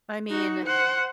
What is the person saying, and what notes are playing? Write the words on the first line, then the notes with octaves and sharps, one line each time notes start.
I mean,
D#4 F#4
C5 F#5